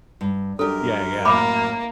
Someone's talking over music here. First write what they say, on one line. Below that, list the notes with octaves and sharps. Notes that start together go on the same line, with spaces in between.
Yeah, yeah,
G2
F#2 D4 G4 A4 A#4
A2 A#3 E5 B5 D6